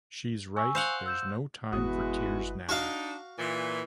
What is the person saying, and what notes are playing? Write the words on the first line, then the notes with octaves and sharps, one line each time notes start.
She's right; there's no time for tears now.
G#5 C#6 E6
C5 F5 F#5
E6 G6 E7
G1 E2 B2 G#3 E4 F#4 B4 D#6
D4 D#4 F#4 F5
A#2 E3